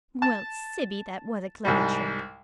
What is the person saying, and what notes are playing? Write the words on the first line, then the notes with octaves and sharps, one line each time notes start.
Well, Sibby, that was a clever trick!
A5
C2 G#2 G3